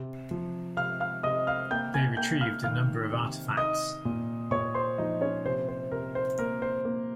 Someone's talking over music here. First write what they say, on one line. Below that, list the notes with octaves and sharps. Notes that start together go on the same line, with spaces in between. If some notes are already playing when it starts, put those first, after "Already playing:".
They retrieved a number of artifacts.
Already playing: C3
F3
C3 F5 F6
F5 F6
C3 D#5 D#6
F5 F6
A#3 G5 G6
G#5 G#6
A#3 G5 G6
F5 F6
D#3 F5 F6
C3
D#4 D#5 D#6
A#2
A#2 C#5 C#6
C5 C6
F3 D#4 D#5
C#4 C#5
C3 C5
C5
C3 A#4
C5
A#3 A#4
C5
A#3